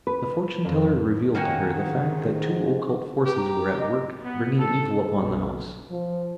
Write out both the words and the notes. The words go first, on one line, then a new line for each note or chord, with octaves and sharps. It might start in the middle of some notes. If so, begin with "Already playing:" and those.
The fortune-teller revealed to her the fact that two occult forces were at work bringing evil upon the house.
B4
F2
G#2 D#3 A#3 C#4 F#4 G4 F#5 G#5
G4 B4
A#5
D#5
B3
A4
B1
F3